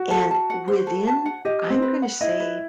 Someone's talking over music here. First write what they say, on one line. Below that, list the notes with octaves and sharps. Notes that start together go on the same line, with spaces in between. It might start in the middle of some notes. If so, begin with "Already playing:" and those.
And within, I'm gonna say,
Already playing: F#4
A4
A5
F#5
C5
A4
A5
F#5
G4 D#5
B4
C4
B4
F#5
E4 D#5
B4